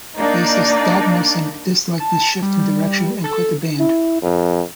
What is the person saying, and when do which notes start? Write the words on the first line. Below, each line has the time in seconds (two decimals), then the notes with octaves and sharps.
Bassist Dag Nilsen disliked this shift in direction, and quit the band.
0.16 A#3 D4 D#4 D5
2.00 A5
2.42 G3
3.24 A4
3.80 E4
4.22 F2